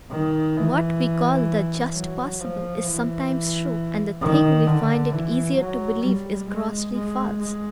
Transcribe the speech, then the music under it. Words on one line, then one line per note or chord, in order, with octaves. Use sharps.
What we call the 'just possible' is sometimes true and the thing we find it easier to believe is grossly false.
D#3
E3
F#3
F3
E3
D#3
D3
E3
F#3
G3
G#3
G#3
G#3